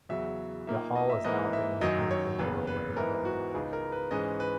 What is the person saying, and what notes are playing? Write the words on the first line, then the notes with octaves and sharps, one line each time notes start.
The hall is now being turned into a wedding venue.
E2 C#3 F#3 E5
A#2 A#3 D#4 E5
D#5
E5
G#2 E3 A#3 E4 D#5
E5
F#2 D#3 F#3 D#5
C#5
F#1 E2 C#3 B4
B4
G#2 E3 B3 E4 A#4
F#4
C#2 C#3 G#3 B3 D#4 G#4
A#4
B4
G#2 E3 G#3 C#4 D#5
B4